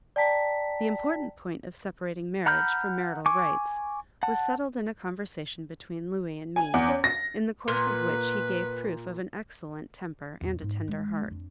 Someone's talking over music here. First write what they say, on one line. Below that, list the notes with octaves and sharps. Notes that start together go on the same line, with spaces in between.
The important point of separating marriage from marital rights was settled in a conversation between Louis and me, in the course of which he gave proof of an excellent temper and a tender heart.
D5 G5 A5 A#5 B6
F#5 A#5 B5 F6 G6
G#5 C#6 D6
F#5 A5
G#5
E2
C#4
A#6
A#2 B4
E2 A#2
G#2 B3
G#2 G#3
F2 D4